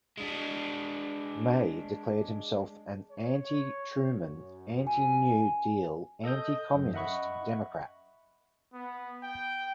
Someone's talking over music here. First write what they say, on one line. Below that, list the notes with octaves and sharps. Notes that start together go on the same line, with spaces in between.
May declared himself an anti-Truman, anti-New Deal, anti-communist Democrat.
G#3 D4
C#5
F#2
G#5
A4 D#5 D#6 G6
F#2
D#5 E5 F#5 B5 C#6
B3
G5